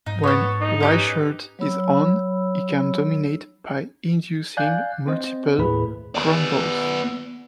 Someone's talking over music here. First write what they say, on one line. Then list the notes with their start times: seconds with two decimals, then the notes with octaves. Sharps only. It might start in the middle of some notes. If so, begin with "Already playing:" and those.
When Reichert is "on", he can dominate by inducing multiple groundballs.
0.06 G#2 D#4
0.24 B3 A4 C#5
0.61 D#4
0.80 C#4 G4 B4
1.59 F#3 C#5 B5 E6
4.57 D5 F5 G#5 F#6 G6
5.07 C4 C5 D#5
5.58 D#2 A2 A3 G#4 B4 B5
6.15 B3 D5